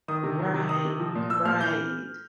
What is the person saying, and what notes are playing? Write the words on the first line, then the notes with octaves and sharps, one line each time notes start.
Right, right,
D#3 D#6
C3
D#3
C3
D#3 D#6
C3
F3
A#2
F3 E6
A#2 F6
E3 G6